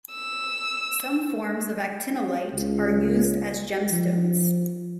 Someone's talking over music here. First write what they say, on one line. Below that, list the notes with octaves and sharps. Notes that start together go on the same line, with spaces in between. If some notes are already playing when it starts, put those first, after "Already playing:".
Some forms of actinolite are used as gemstones.
E6
C#2
F3